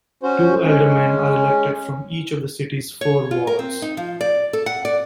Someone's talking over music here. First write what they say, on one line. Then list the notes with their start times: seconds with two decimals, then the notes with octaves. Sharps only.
Two aldermen are elected from each of the city's four wards.
0.23 C#4 F#4 C5
0.65 G#3 C#4
3.01 C#5
3.31 F4
3.47 A#4
3.59 C4
3.82 D#4
3.97 F3
4.21 D5
4.53 A4
4.66 F#5
4.85 D5